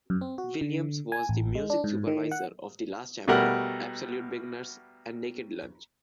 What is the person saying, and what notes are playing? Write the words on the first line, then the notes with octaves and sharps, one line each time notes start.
Williams was the music supervisor of The Last Emperor, Absolute Beginners and Naked Lunch.
F#2
C4
F#4
D3
G#5
A1
G#3
D4
G#2
D#3
F#5
B2 G3 A3 A#4 F#5